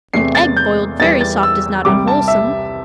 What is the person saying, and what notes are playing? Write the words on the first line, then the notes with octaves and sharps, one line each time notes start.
An egg boiled very soft is not unwholesome.
E2 C3 A3 C7
A6
G6
E2 E3 G3 A6
A6
E6
C2 C3 G3 D6
A5
E5